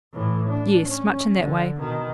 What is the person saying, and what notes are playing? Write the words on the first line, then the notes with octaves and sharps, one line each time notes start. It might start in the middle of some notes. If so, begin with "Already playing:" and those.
'Yes, much in that way.
A2 E3
D4
C#4
D3
B2 D#3